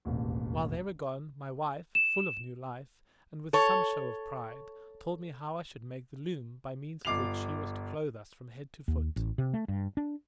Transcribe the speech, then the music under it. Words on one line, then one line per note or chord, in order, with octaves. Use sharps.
While they were gone, my wife, full of new life, and with some show of pride, told me how I should make the loom by means of which she was to clothe us from head to foot.
E1 A1 D#2
E7
A4 C#5
G1 F4 D6 C7 F7
D#2
A1
C3
A3
G2
D4